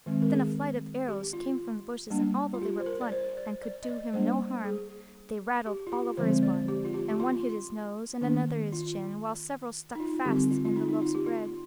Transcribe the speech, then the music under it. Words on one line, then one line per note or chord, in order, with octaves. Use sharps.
Then a flight of arrows came from the bushes, and although they were blunt and could do him no harm they rattled all over his body; and one hit his nose, and another his chin, while several stuck fast in the loaves of bread.
D#3 G#3 C4
A#4
G#4
G4
F4
G3 A#3 D4
F4
G4
C5
A#4
D5
C5
D5
D5
D#5
D5
G3 A#3 D4 C5
G#4
G4
F4
G4
D3 F3 G#3 C4 C5
D5
G4
F4
G4
G4
F4
D#3 A#3 D4
F4
D#4
F4
D3 G3 C4 G4
F4
F4
D#4
D#4
F4
G4
F4